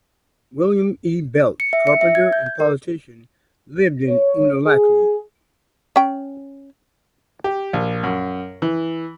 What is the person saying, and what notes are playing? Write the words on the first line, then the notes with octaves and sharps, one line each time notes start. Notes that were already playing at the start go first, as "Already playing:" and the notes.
William E. Beltz, carpenter and politician, lived in Unalakleet.
C#7
E5
C#7
E5
G#6
G6
G6
A#4
C#5
G#4
C#4 G5
G4
A#1
F#2
E3